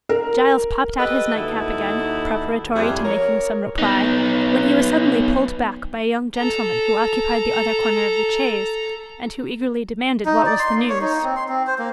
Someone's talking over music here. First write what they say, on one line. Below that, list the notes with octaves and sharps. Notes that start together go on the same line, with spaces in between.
Giles popped out his nightcap again, preparatory to making some reply, when he was suddenly pulled back by a young gentleman who occupied the other corner of the chaise, and who eagerly demanded what was the news.
A#4
G4 A4 B4 D#5
D#2 D#4 E4 F#4 A4
F2 G3 E4 F4 G4 G#4
A#4 C#5
B3 D#4
A4 A#5
D#4
D5
C6
A#3
C#5
D#4
C4
C6
C4
C5
A#3